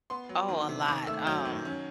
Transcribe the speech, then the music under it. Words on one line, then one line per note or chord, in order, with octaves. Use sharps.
Oh, a lot. Um,
B3 C6
F#3
D#3
C3
D#3 D6
A3 E6
F#3 G6
D#3
C#4